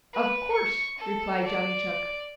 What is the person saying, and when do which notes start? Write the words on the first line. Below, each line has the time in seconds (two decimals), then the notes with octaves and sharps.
"Of course," replied Johnny Chuck.
0.13 B4
0.52 C#6
0.98 A4
1.45 D5